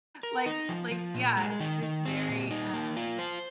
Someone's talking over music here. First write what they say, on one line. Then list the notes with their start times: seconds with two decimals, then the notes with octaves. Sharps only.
like like yeah, it's just very, um-
0.23 A#4
0.46 D#4
0.69 F3
0.91 F3
1.14 A#2
1.37 G#3
1.60 D#3
1.83 D#3
2.06 C4
2.28 A#2
2.51 D#4
2.73 A#3
2.96 F4
3.19 C5